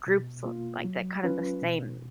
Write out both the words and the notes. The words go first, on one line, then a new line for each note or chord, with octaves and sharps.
groups, like, that kind of the same
B2
A#3 F4
F#3
C#4 F4 B4
B2